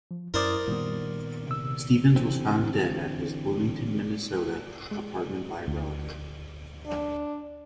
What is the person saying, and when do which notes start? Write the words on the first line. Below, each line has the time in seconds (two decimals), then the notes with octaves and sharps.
Stephens was found dead at his Bloomington, Minnesota apartment by a relative.
0.11 F3
0.34 F#2 E4 A#4 C5 D5 D#6 A6
0.68 A#2 D#3 G3 B3
1.47 C3 E6
2.16 D3 E3 C4 G4
4.91 G#3
5.68 D2
6.86 D4